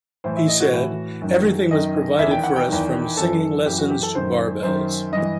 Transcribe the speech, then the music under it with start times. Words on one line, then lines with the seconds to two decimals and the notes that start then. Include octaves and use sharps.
He said: Everything was provided for us, from singing lessons to barbells.
0.24 A2 E3 C5
0.37 E5
0.48 D#5
0.60 F#4
0.73 A2 E3
1.22 F#2 D#3
1.71 F#2 D#3 D#5
2.19 E2 D#3 E5
2.31 G5
2.44 F#5
2.56 G5
2.69 E2 D#3
3.17 F#2 E3 A4
3.66 F#2 E3 G4
3.78 F#4
3.90 G4
4.03 A4
4.15 F#2 D#3 C5
4.63 F#2 D#3 C5
5.12 G2 E3 D#5